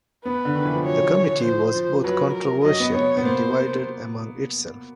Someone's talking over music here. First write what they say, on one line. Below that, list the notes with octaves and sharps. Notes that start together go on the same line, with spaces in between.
The committee was both controversial and divided among itself.
B3 B4
D3
D#3
E3
F3
F#3 C#5
F3 C5
F3
F#3 B4
A#4
F#3 D#5
B3
B3 C#5
B3
A#3 C5